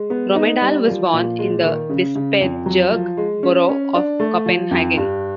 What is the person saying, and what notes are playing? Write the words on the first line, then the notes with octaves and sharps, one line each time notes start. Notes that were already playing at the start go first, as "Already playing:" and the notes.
Rommedahl was born in the Bispebjerg borough of Copenhagen.
Already playing: G#3
B3
D#4
G3
F3
A#2
G#3
D#3
C#3
C#3
F2
F#3
F3
G#3
C#4
C#4
D4
A3
F3
F2
G2